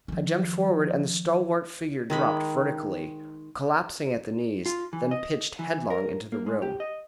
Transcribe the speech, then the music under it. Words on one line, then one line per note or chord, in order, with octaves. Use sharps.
I jumped forward, and the stalwart figure dropped vertically--collapsing at the knees, then pitched headlong into the room.
D#3 F3
D#3 G#3 B5
F4
E3
D#5
E3
A#4
A#3
G#3
G4
D#5